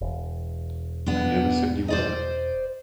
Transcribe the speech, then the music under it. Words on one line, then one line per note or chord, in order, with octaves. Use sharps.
I never said you were.
E1
B3 D4
C5 D5 D#5